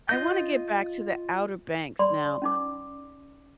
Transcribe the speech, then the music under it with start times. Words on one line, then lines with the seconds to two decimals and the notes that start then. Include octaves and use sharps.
I wanna get back to the Outer Banks now,
0.09 F4 D#5 G6
1.99 D5 B5 C6
2.42 C#4 D#4 D6